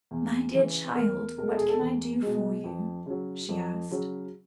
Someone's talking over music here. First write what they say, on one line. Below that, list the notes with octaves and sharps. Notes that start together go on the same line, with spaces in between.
"My dear child, what can I do for you?" she asked.
E2
C#3 E3
E2 A#4
B2 G#3 A#4
A4
G#4
A4
E2
B2 G#3
F2
C#3 F#3
F2
C#3 F#3